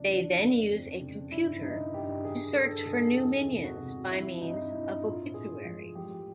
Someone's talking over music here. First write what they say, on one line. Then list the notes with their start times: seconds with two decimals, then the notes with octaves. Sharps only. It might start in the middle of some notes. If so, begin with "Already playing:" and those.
They then use a computer to search for new minions by means of obituaries.
Already playing: E2 C#3 D4
0.08 E3
0.39 F2
0.70 F2
1.01 C#3
1.31 G2 E4
1.63 D#3 D#4
1.94 G2 G4
2.24 G2 G#4
2.55 G2 A4
2.86 D#3 G#4
3.17 E2 G#4
3.48 C3
3.64 F#4
3.79 C3
4.10 E3 E4
4.41 G2 D#4
4.72 G2 E4
5.03 A2 F4
5.33 A2 G#4
5.65 F3
5.95 F3 G4